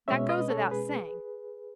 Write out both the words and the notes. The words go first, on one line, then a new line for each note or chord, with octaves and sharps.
That goes without saying.
B2 G#3 C#4 C#5 E5
B4 D#5
A4 C#5
G#4 B4